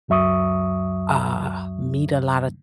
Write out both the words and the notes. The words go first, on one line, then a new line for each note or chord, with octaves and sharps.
uh, meet a lot of
C#2 F#2 F#3 E5 C#6 D#6